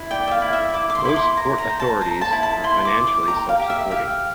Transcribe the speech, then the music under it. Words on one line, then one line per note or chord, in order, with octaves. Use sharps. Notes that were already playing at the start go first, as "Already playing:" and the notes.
Most port authorities are financially self-supporting.
Already playing: E4
D5 G5
E5
F5
E4
E5
E4 D6
D6
C6
E4 D6
C6
E4 A#5
A#5
C5
A5
C5 A#5
A5
E4
A5
E4 C6
D6
C5
D6
G4 A#5
F5
G4
E5
G4 F5